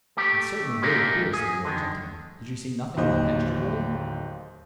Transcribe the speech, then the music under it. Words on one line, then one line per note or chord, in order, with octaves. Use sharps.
"It's certainly very queer," said the old gentleman; "did you see nothing in the pasture, Billy?"
A3 G4
C3 G#3 A#3 D4 D#4 G4
G#4
D3 D#3
D1 D#2 C5 D#5